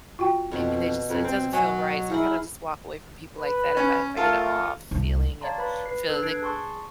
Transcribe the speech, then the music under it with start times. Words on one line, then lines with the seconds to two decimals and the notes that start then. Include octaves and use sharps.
maybe they just it doesn't feel right, so I kinda just walk away from people like that if I if I get a off feeling and feel like,
0.19 F4 F#4 G5
0.52 F2 B2 C#5
1.10 F2
1.24 C4
1.53 F#3 D#5 G#5
2.10 E4 G#4 A#4 F#5
3.40 B4
3.77 C#4
4.17 A3 F4 A4 A#4
4.91 C2
5.41 C#5 D5 F5 A5 A#5 C6
5.58 B4 B5
5.86 B4 C7
6.08 D4 A4 B4
6.22 F#6 G#6 C7 D7
6.42 G#4 A5 C6 C#6